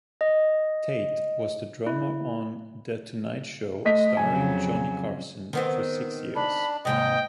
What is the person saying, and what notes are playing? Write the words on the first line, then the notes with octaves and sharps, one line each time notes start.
Tate was the drummer on "The Tonight Show Starring Johnny Carson" for six years.
D#5
E4
A3 D#5 B6
F2 C#3 F#3 G#5
D#3 B3 C4
D4 B5
D#2 G#2 C3 D#5 G5